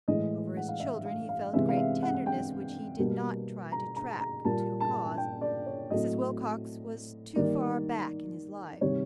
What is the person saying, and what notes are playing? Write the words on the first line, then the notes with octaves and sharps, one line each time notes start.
Over his children he felt great tenderness, which he did not try to track to a cause: Mrs. Wilcox was too far back in his life.
A2 E3 G#3 D#5
F#5
F5
E5
F5
F5
C3 E3 G#3 B3 E5
F5
E5
F#5
F#5
G5
B2 G3 A#3
A#5
A#5
A#5
A#2 G3 A#3 A5
A5
G5
D5
C#5
A2 F#3 A3 C4 D#5
D#3 G3 A#3 D5
C3 D#3 G3 C#5